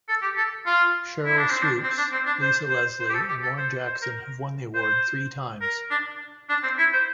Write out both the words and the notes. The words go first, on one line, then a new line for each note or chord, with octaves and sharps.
Sheryl Swoopes, Lisa Leslie and Lauren Jackson have won the award three times.
A4
G4
A4
F4
E4
D4
C4
D4
C4
D4
C4
D4
C5
C5
C5
G4
A4
G4
A4
C5
C5
A#4
C5
A#4
D4
D4
C4
E4
C5